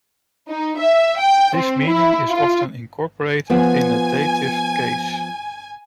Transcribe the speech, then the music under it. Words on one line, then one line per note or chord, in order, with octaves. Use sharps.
This meaning is often incorporated in a dative case.
D#4
E5
G5
C4
E4
F4
F3 B3 C5 G#5